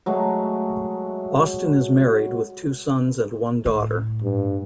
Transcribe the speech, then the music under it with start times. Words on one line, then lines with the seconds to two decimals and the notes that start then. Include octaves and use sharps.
Austin is married with two sons and one daughter.
0.06 F#3 G#3 A3
3.66 A2
4.23 G2